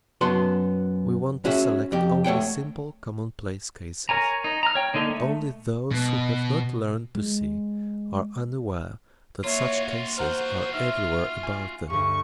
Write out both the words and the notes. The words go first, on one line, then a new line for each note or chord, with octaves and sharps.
We want to select only simple commonplace cases. Only those who have not learned to see are unaware that such cases are everywhere about them.
F#2 B3 F#4 A5 C6
C#4 F#4 G#4 E5
F2 G4
A3 C#5 F#5 G5
A#4 C#5 G#5 A#5
D#4
A#5 F6
C#5 G5
D3 A#3 D#4 A4
A3
B2
G#3
A#3 F4 F#4 C#5 E5
C5 F#5 A#5 F6
D#4 E5 F6
G#5
D2 G2 C#6